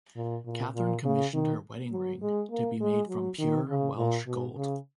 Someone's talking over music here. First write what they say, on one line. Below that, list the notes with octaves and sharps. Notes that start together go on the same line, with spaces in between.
Catherine commissioned her wedding ring to be made from pure Welsh gold.
A#2
A#2
A#2
C#3
D#3
F#3
G#3
A#3
G#3
F#3
D#3
C#3
A#2
B2
C#3